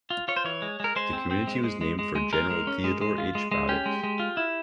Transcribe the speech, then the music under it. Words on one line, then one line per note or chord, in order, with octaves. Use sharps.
The community was named for General Theodore H. Barrett.
F4
F4 C#5
C5
E3 C#5
G#3
G#3 A#4
G#3 C5
C4
C4
G#3
G#3
G#3
G#3
G#3
G#3 A#4
G#3
C#4
G#3
G#3
F4
G#3
G#3
C#4 G4
G#3
G#3
F4
E4